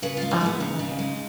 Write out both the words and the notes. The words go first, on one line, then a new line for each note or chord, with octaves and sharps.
Ah, okay.
C#3 B4
G#3 F4
D#4
G#3 B3
C#3 D#4
C#3
G#3